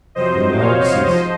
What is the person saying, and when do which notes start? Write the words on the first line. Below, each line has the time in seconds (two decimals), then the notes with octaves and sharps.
The knell ceased.
0.15 F2 C3 F#3 C5 D#5
0.60 C#5 F5
1.05 G#2 F3 C5 D#5